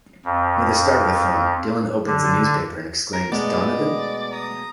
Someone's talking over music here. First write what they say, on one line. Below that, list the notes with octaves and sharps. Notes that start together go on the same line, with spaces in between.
Near the start of the film, Dylan opens a newspaper and exclaims, Donovan?
F2
D3
A#4
B2 G#3 A3 B3 D5 D#5
A#5 D#6